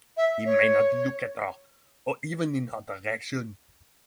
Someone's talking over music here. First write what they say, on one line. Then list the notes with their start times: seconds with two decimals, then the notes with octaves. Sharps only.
He may not look at her or even in her direction.
0.17 E5
0.46 C#5